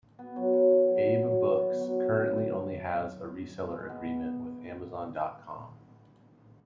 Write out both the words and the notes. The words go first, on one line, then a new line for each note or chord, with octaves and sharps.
AbeBooks currently only has a reseller agreement with Amazon dot com.
B3
F#3
F#3
E3
F#3
E3
F#3
E3
F#3
B3
F#3
F#3
G#3
G#3
B3